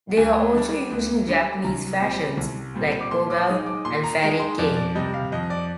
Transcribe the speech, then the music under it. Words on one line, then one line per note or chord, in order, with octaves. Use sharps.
They are also used in Japanese fashions like Kogal and Fairy Kei.
D2 G#5
D3 G3 D4
D2
D3 G3 D4
C2 A#5
A#2 G3 C4
C2
A#2 G3 C4
D6
A#2 C6
D6
G#3 D#4 D#6
D6
A#2 C6
A#5
G#3 D#4 A#5
C6
F2 D5
D5
C3 G3 D#5
F5
F2 D#5
D5